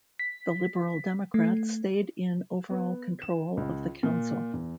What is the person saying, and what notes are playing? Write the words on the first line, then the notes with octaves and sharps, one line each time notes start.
The Liberal Democrats stayed in overall control of the council.
B6
A3
B3
E7
C#2
A#2
E2